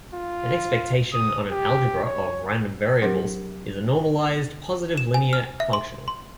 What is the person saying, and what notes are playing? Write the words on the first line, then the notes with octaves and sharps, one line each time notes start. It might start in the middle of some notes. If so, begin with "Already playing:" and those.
An expectation on an algebra of random variables is a normalized, positive linear functional.
F4
D#6
G4
C#5
F#3 C4 D4 G4 G#4 A#4
E7
G#5
F6
E5
C6
C6